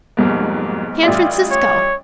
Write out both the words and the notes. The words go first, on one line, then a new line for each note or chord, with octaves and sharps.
San Francisco!
B1 F2 G#2 B2 G3 A#3
A1 G3 F4 D5 E5
C#5